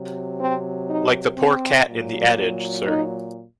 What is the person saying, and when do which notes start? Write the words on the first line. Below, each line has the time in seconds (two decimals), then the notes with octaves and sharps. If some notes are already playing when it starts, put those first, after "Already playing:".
Like the poor cat in the adage, sir.
Already playing: C3 F#3
0.40 C4
0.89 D#4
1.38 C4
1.87 A#2 F#3
2.86 D#4